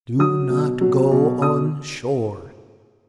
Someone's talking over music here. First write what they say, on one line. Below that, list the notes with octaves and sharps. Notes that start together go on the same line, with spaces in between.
Do not go on shore.
F#3 D#6
B2
F#3
B2
D#6